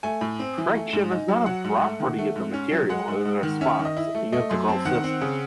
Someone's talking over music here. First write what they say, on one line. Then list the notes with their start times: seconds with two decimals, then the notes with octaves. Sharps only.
Friction is not a property of the material, it is a response of the integral system.
0.03 A3 G#5
0.21 A2
0.39 C4
0.58 E3
0.75 A3
0.93 G#2
1.11 D#4
1.28 F#3
1.46 F#3 F#5
1.64 G#2
1.83 A3
2.00 D#3
2.18 A3
2.36 G#2
2.54 C#4
2.72 F#3
2.89 G#3 F#5
3.07 G#2
3.25 G#2
3.43 D#3
3.61 C#4 E5
3.79 D#3
3.85 D#5
3.97 E4
4.15 A3
4.32 A3 D#5
4.50 F#2 C6
4.68 C4 A5
4.85 D#3 F#5
5.04 C4
5.21 C#3